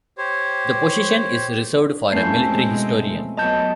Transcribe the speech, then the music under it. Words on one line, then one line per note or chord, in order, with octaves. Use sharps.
The position is reserved for a military historian.
G4 C5 C#5
F2 F3 A3 C#4 E4 G6 C7
B2 G#3 C4
F#3 B3 F4 D#5 A5 G6